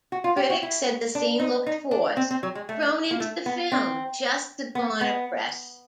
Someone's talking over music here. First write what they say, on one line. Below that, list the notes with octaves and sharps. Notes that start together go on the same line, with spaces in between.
Critics said the scene looked forced, thrown into the film just to garner press.
F#4
F4
G4
F#4
E4
D4
D#4
D#4
D4
C4
C4
F#3
G#3
A3
A#3
A3
B3
C4
B3
B3